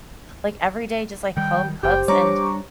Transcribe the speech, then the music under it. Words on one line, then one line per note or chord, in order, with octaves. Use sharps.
like, everyday just, like, home cooks, and
D#3 G3 G5
F#1 G4 C5 G5
G3 A3 D4 C#5 A#5 C#6 D6